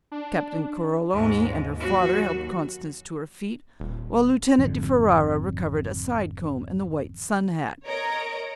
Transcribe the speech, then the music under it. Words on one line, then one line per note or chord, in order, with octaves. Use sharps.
Captain Coroloni and her father helped Constance to her feet while Lieutenant di Ferara recovered a side-comb and the white sun hat.
D4
D#2 G#2 G#3
F#3 F#4
D#1
G#1 F2 D3
A#4 C#5 D#5 A#5 D7